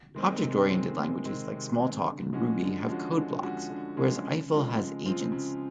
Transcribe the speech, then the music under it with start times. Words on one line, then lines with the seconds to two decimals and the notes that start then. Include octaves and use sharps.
Object-oriented languages like Smalltalk and Ruby have code blocks, whereas Eiffel has agents.
0.15 D#3 G#3 C4
0.42 C3
0.70 D#3 G#3 C4
0.97 C3
1.24 D#3 G#3 C4
1.51 C3
1.78 D#3 G#3 C4
2.05 D3
2.32 F3 G#3 C#4 F#4
2.60 D3
2.87 F3 G#3 C#4 F#4
3.15 D3
3.42 F3 G#3 C#4 F#4
3.70 D3
3.96 F3 G#3 C#4 F#4
4.24 C#3
4.50 F3 G#3 C4 F4
4.78 C#3
5.06 F3 G#3 C4 F4
5.32 C#3